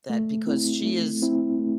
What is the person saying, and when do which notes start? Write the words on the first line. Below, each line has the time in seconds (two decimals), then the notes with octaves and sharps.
That because she is
0.10 A3
0.47 C4 E4
0.85 A3
1.22 C4 E4
1.59 A3